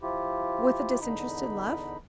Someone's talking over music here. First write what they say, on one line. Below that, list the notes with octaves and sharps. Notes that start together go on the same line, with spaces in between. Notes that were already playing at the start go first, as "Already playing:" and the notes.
"With a disinterested love?"
F3 E4 F4 G4
E2 D3 D#4 B5